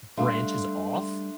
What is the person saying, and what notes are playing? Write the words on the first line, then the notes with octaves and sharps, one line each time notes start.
branches off.
G3 A3 D4 F5 C6